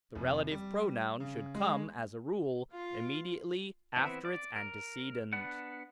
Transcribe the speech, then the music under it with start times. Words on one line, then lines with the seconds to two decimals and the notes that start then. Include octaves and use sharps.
The relative pronoun should come, as a rule, immediately after its antecedent.
0.15 F1
0.51 G3
1.20 C#3
1.55 G#3
2.72 F4 F5
3.97 E3 B3 C4 E5
4.25 D5
4.56 A#4
5.33 B3 D4 F#5